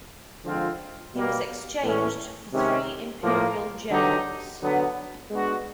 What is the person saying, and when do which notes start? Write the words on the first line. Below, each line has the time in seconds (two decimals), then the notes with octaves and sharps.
He was exchanged for three imperial generals.
0.44 D3 F3 G#3 C4 F4
1.14 B2 G3 A#3
1.83 A2 E3 A3 C#4
2.52 C3 D#3 G#3 C#4
3.21 A2 F3 A#3
3.91 D3 F#3 B3 D#4 G4
4.61 D3 F#3 B3
5.30 G#3 B3 D4 F#4